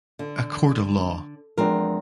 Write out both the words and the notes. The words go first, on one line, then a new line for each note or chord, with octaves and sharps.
A court of law.
D3
E2 F3 G#3 C4 D4 A#4